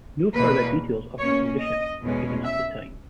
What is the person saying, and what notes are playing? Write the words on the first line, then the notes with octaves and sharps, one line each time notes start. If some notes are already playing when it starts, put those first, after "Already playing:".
No further details of her condition were given at the time.
E2 B2 A#3 B4
B2 A#3 C#4 C#5
D#5
E2 B2 G#3 C#4
E5